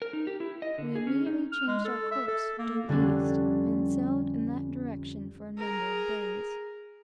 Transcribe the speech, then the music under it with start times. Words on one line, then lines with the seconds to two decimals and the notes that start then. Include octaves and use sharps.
We immediately changed our course due east, and sailed in that direction for a number of days.
0.02 A#4
0.13 D#4
0.27 G4
0.40 E4
0.62 D#5
0.78 D3
0.95 G#4
1.07 C#4
1.27 D#4
1.52 F6
1.67 G#3
1.85 A4
2.12 E5
2.28 A4
2.58 A#3
2.88 F2 D3 G3 C#4 D4
5.58 G#4 A#4